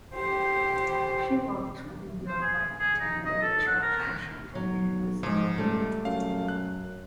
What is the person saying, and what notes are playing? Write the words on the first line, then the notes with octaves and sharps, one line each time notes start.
She worked through the year while attending George Washington University.
G4 C5
C5
G#4
G#4
D#4
D#5
A4
F#5
A#4
B1 F#3
G#2 F3 G#3
C#2 G3 A3
F#2 F5
F#6